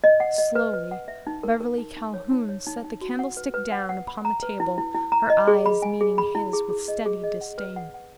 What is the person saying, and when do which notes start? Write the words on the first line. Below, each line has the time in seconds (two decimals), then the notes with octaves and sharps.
Slowly Beverly Calhoun set the candlestick down upon the table her eyes meeting his with steady disdain.
0.04 D#5
0.20 F#5
0.38 D#5
0.55 B4
0.74 B4
0.91 F#5
1.08 E5
1.27 D#4
1.43 A#4
1.61 A#4
1.78 D#4
1.96 D#4
2.14 C#5
2.32 D#4
2.49 C#5
2.67 D#4
2.84 D#4
3.01 F#4
3.19 F#5
3.37 B4
3.54 B4
3.72 F#5
3.89 F#5
4.08 B5
4.25 A#5
4.43 B4
4.60 E4
4.78 E4
4.95 E4
5.12 A#5
5.30 D#5
5.48 G#4
5.66 B5
5.82 G#5
6.01 G#4
6.18 B5
6.35 E4
6.53 G#4
6.70 G#4
6.88 D#5
7.06 G#4
7.24 D#5
7.41 F#5
7.58 B4
7.76 F#5
7.94 F#5